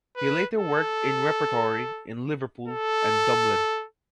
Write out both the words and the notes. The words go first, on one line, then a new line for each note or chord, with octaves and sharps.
He later worked in repertory in Liverpool and Dublin.
B4
A4
A4